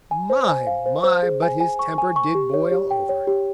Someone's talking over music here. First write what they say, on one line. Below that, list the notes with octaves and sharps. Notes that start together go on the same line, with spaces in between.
My, my, but his temper did boil over!
G#5
C5
G#5
F5
C5
C5
G#4
G#5
G#5
C#6
G#5
C#6
G4
C#5
G4
G5
C#5
G4